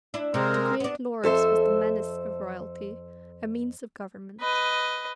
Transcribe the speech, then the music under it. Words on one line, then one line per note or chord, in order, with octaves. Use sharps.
To create Lords was the menace of royalty; a means of government.
D4 E4
C3 G#3 C4 A#4
B3 D4
F2 A4 C5 E5
B4 D#5